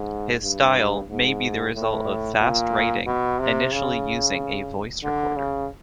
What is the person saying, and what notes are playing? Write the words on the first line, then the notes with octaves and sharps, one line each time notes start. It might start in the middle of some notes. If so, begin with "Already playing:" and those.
His style may be the result of fast writing initially using a voice recorder.
Already playing: G#2
G2
G#2
A2
A#2
B2
C3
C#3
D3
C#3